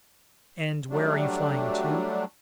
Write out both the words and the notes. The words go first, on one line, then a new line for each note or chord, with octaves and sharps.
"And where are you flying to?"
F#3 G3 A3 D4